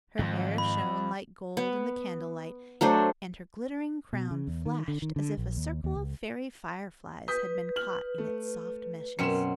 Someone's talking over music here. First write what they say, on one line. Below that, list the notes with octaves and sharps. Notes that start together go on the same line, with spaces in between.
Her hair shone like gold in the candlelight, and her glittering crown flashed as if a circle of fairy fireflies had been caught in its soft meshes.
F2 G#2 D#3 F3
B5
B3
F#3 A3 D4 C5
B2
C#3
E2
D#3
D3
D#3
D3
A#1
D#2
D#2
C#2
B4 D#6 G6 B6
F6 F#7
A3
F#2 B2 C4 C#7 E7